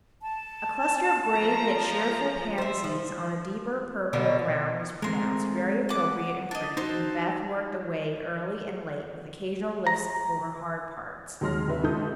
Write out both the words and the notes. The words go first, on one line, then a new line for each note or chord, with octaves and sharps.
A cluster of grave yet cheerful pansies on a deeper purple ground was pronounced very appropriate and pretty, and Beth worked away early and late, with occasional lifts over hard parts.
A5
F3 A#5
C5 E5
F3
B2 D3 D#3 A#3
G#3 A3 C4 A#4 C6
F#5 D6
D4 D#5
D#4 F#4 A4 C5 C6
A#5
D#2 F#3 G#3 C6 F6 A#6
D#2 C3 B4 E5
G#2 C3 D#3 A4 D#6 G6